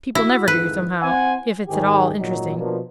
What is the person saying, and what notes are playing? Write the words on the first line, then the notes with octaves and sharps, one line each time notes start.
People never do, somehow, if it's at all interesting.'
E4 F#4
G#1 F2 G#2 B4
C4 C5 F#5 G#5
G#2 D#3 G4 G#4
G#1 A#2 F#3 D#4
B2 F3 A#3 D4